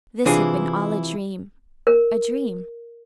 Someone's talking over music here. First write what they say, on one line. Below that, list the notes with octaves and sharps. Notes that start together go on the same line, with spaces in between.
This had been all a dream--a dream.
C3 E3 D4 E4 F4 G#4
A#4